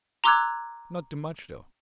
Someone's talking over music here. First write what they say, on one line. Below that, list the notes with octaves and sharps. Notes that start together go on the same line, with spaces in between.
Not too much, though.
A#5 C6 D6 E6 F#6 G#6